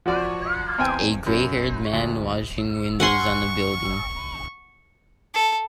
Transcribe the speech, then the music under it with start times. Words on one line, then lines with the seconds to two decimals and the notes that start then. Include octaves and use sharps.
A grayhaired man washing windows on a building.
0.06 F3 F#4 D5
0.78 E2 C4 C5 G5 G#5
1.27 F#2
1.93 D2
3.00 F#5 G#5 C6 C#6
5.34 A4